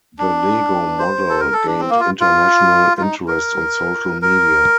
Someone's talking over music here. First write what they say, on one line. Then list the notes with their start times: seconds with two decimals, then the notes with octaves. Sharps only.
The Lego model gained international interest on social media.
0.19 D4
0.99 C5
1.29 A4
1.40 A#4
1.53 A4
1.67 D4
1.80 C4
1.90 A#3
2.00 F4
2.20 F4
2.97 F4
3.01 D#4
3.28 A#4
4.22 A#4